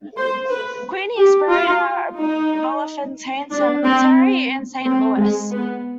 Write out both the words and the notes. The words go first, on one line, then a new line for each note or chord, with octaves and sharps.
Queeny is buried at Bellefontaine Cemetery in Saint Louis.
C5
B4
G4
F4
D#4
D4
C4
C4
G#3
B3